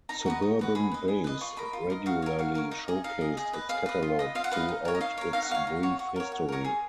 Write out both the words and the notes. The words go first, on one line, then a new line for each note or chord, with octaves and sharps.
Suburban Base regularly showcased its catalogue throughout its brief history.
D#4 A#5
F#4 B4 D#5
D#4
F#4 B4 D#5
G#4 B5
B4 D#5
G#4
B4 D#5
F4 C#6
A#4 D#5 B5
F4
A#4 D#5
F#4 F5
A#4 C#5
F#4 F5
A#4 C#5
D#4
G#4 D#5
D#4 F5
G#4 D#5
G#4 D#5
B4 D#5
G#4 F5
B4 D#5
F4
B4 D#5
F4 F5
F#5
B4 D#5 F5
D#4
A#4 C#5
D#5
D#4 F5
A#4 C#5
D#4 F5
F#5
F#4 C#5 F5
D#4
F#4 C#5
F#4
A#4 C#5
F#4
A#4 C#5 A#5
G#4 G#5